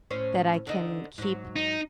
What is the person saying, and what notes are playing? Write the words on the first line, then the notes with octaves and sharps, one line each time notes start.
that I can keep
A2 C#4 C5
D3 D#4 D#5
G#2 F#3
D#4